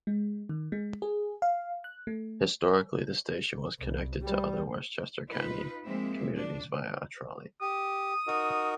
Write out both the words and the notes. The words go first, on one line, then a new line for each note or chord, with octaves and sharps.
Historically, the station was connected to other Westchester County communities via a trolley.
G#3
D#3
G#3
G#4
F5
F#6
A3
C2
G3
D#4 F4 B4
F3 G#3 A#3 C4 E5
F3 D4
G4 D#6
D#4 F#4 A#4